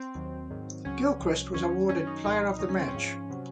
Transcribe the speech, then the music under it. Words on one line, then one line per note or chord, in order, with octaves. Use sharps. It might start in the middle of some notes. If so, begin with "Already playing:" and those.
Gilchrist was awarded player of the match.
Already playing: C4
D#2 D#3 F#3
G#2 D#3 F#3
C#2 C#3 F#3 C#4
C2 C3 F3
D#2 D#3 F#3 C#4
F#2 D#3 F#3 C#4
D#4
C2 A#2 F3 D#4
D#2 C#3 F#3 D#4
C#4
C4
C#4
G#2 F3
C3 F#3